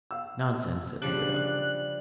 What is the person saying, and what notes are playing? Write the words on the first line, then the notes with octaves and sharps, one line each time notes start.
"Nonsense," said the widow.
F5 E6
C#3 F3 G3 D4 F#6